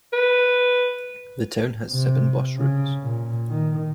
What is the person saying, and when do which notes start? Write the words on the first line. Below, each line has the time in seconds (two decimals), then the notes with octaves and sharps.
The town has seven bus routes.
0.13 B4
1.90 C3
2.57 C#3
3.03 A#2
3.49 D#3